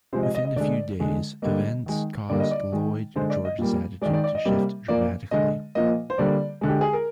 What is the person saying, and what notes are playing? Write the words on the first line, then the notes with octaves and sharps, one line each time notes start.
Within a few days, events caused Lloyd George's attitude to shift dramatically.
C3 F3 G#3 C5
D#5
D#5
D#5
D3 G#3 D5
D3 G#3
D3 G3 A#3 D#5
D#3 G#3
D3 G3 A#3 D5
D#5
D5
D#3 G#3
D3 G#3 C5
D5
D#5
A#2 G3 A#3
D#3 G#3 D5
D5
D5
D#5
C3 G3 A#3
A#2 F3 A#3 D5
D3 G#3 D#5
A#2 F3 A#3 D#5
C5
D3 G3 A#3 D5
D3 G#3
G4
G#4
A#4